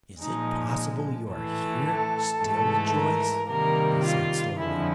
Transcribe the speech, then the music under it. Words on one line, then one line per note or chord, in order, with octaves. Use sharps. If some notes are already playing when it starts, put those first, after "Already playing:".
"Is it possible you are here still, Joyce?" he said slowly.
A#2 F3 G#3 D#4
A2 E3 A3
A4
G#2 E3 A3
A#4
C3 D#3 G3 A#3 A#4
F4
F2 D3 F3 G#3 E4